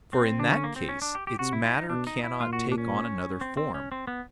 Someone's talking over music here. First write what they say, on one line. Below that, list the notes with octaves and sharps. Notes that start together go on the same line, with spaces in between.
For in that case its matter cannot take on another form.
C4
D3 D4
C#4
A#3
C4
C#4
D4
G4
G4
C3 F#4
E4
E4
D#4
B2 D4
D#4
E4
A#2 F4
F#4
D4
C#4
C4
C4
C#4
C4
B3